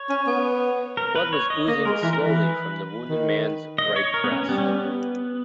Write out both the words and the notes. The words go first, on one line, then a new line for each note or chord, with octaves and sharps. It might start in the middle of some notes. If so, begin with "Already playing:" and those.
Blood was oozing slowly from the wounded man's right breast.
Already playing: C#5
C#4
B3
A#4
B4
C#5
D#5
A#3 D#5
G#3 A#4
E3 A#4
A#4
E3 B4
D#3
D#5
C#5
A#4
B3
C#4
G3 B3
C#4
B3